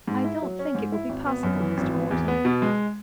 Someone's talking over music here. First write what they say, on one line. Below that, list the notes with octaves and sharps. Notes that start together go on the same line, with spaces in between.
"I don't think it will be possible, Mr. Morton."
G#2
E4
F#3
C#4
G#2
E4
G#1
B3
F#2
E3
G#1
B3
E2
B3
B2
G#3